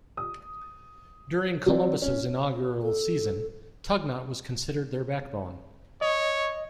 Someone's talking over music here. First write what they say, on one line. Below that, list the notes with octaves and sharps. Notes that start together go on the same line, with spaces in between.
During Columbus' inaugural season, Tugnutt was considered their backbone.
D#6
F#3 C4 D5
C#4
A4
C#5 D#5